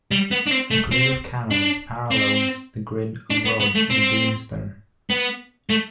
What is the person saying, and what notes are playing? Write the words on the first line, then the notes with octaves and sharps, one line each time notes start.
A grid of canals parallels the grid of roads in the Beemster.
G3
B3
D4
C4
A3
C4
D4
C4
D4
B3
B3
A3
C4
B3
A3